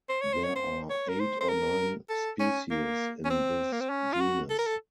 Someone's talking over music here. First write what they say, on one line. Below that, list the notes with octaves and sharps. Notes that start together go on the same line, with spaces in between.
There are eight or nine species in this genus.
C5
C#5
C5
C#5
C5
C#5
A#4
C5
C5
A#4
A4
C#4
A#3
C#4
C4
A#3
C4
C#4
F4
F#4
A4
A#4
A4